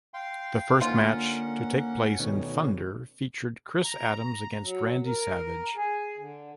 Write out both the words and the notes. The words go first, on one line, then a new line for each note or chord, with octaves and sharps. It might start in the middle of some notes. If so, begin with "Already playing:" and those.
The first match to take place in "Thunder" featured Chris Adams against Randy Savage.
F5 G5 C6
D3 A#3 C#4 F4 F#5
D2 B2 D#3 C#4
A#5
F#3
A#4
G#4
D3